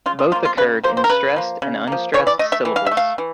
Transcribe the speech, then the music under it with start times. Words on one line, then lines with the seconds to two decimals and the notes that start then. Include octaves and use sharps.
Both occurred in stressed and unstressed syllables.
0.06 C#3 F4
0.19 F4
0.32 F3 F4
0.35 A#3
0.45 F4
0.57 C#3 B4
0.83 F3 C5
0.88 A#3
0.97 C5
1.04 A#4
1.09 C#3 B4
1.36 F3 A#3
1.62 C#3
1.87 F3 A#3
2.14 E3 C#5
2.27 D5
2.39 A3 D#5
2.52 E5
2.65 E3
2.76 F5
2.86 A3 E5
2.97 F5
3.18 E3